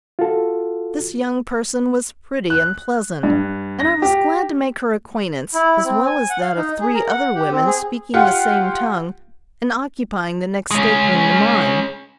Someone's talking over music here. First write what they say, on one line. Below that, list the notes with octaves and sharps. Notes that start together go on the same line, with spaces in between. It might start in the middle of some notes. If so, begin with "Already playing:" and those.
This young person was pretty and pleasant, and I was glad to make her acquaintance as well as that of three other women speaking the same tongue and occupying the next stateroom to mine.
F4 F#4 A4
F#6
G2
A#6
G4
E4
C4
G#5
F#5
F5
D#4
G#4
A#4
F#5
G4
C4
G#4
F4 G4 F#5
G#3 C#4